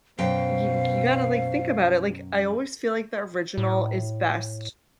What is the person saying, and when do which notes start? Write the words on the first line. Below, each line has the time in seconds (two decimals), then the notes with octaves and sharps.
you you gotta, like, think about it, like, I always feel like the original is best,
0.19 F#2 B2 C5 F5 G5
3.58 A2